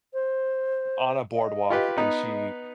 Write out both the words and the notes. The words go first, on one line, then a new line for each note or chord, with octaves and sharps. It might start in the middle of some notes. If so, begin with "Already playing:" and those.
on a boardwalk, and she
C5
D#5
F4 G4 B4
B3 D#4 B4 D#5